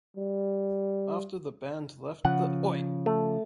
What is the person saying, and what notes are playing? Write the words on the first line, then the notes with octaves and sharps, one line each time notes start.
After the band left the Oi!
G3
C#3 F3 F#5
A3